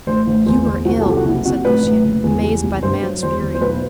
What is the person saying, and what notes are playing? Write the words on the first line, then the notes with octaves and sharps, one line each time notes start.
"You are ill!" said Lucian, amazed by the man's fury.
A1 C5
A1
E2 C5
E2 C5
C2 F#4
A4
C2 G4
F#4
F#1 E4
C3 F#4
A2 B4
A1
F#1
E2
G3
C2
G2 C5
F#3
E2 C5
E2
C5
B1 B4